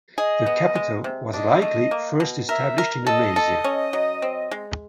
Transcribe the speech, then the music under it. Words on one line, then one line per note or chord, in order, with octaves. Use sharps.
The capital was likely first established in Amasia.
G#4 D#5
B3
G#3
C3
D4 D#5
A3
A#3
B2
A#4 E5
A#4
A4 D#5
A4
C#4
F#3
C4
G#3